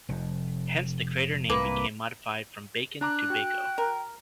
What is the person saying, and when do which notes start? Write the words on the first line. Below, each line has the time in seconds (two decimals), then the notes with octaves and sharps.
Hence the crater name became modified from Bacon to Baco.
0.09 F1 F2
1.49 C2 G#2 A#3 B4
3.01 D4 A#5 D6 F#6
3.30 F#4 G5
3.78 A#4